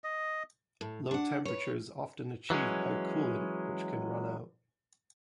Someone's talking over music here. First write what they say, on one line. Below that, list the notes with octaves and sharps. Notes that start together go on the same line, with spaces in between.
Low temperature is often achieved by a coolant, which can run out.
D#5
A2
D4 F#5
B4 C#5
E3 F#3 G#3 C#4